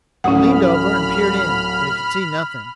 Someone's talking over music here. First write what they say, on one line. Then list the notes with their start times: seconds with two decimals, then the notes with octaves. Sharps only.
He leaned over and peered in, but he could see nothing.
0.24 D1 A1 C#4 F#5 B5 D#6 F6